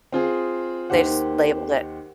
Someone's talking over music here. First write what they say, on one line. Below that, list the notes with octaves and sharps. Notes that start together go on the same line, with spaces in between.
They just labeled it.
C4 F4 G#4
D#2 D#3 G4 C5 F#5